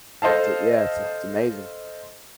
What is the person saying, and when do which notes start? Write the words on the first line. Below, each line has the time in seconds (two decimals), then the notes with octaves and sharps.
so, yeah, it's a it's amazing.
0.22 A4 C5 D#5 F5 A5